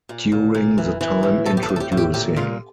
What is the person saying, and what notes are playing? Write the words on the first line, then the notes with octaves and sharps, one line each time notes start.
During the time Introducing...
A#2
A#2
A#2
E3
E3
A2
A2 A4
G4
A4
A2
A4
G4
A2
G4
A#2 G4
A#2 F4